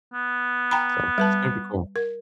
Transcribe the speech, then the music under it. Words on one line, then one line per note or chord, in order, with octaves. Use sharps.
so, it's gonna be cool.
B3
G5 A#5 B5
G3 B4 A5
A#4